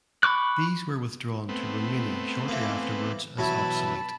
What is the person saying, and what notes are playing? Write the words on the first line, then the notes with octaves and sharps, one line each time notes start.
These were withdrawn to Romania shortly afterwards as obsolete.
B5 C#6 D6 F#6
A3 B3 C4
E3 A#3
B2 E3 F#3 E4 A5 B5